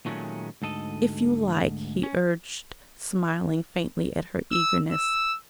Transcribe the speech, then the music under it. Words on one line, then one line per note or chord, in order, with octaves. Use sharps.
'If you like,' he urged, smiling faintly at her eagerness.
A#2 D#3 F#3 G#3 A3 C#4
D2 G#2 A4 D#5
C#4
E6
E6